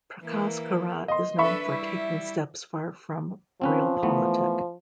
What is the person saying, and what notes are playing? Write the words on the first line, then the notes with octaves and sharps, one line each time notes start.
Prakas Karat is known for taking steps far from Realpolitik.
E3 A#3
D#5 C6
D4 A4 B4 E5 B5 C#6
G3 E4
F3 C4 C#4 B4
E3 A3 B3